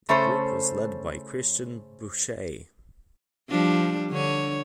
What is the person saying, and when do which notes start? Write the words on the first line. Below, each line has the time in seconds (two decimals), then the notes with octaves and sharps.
The group was led by Christian Bouchet.
0.09 C#3 A3 C#4 A4 C5
3.50 F3 G3 D4
4.10 D3 C#5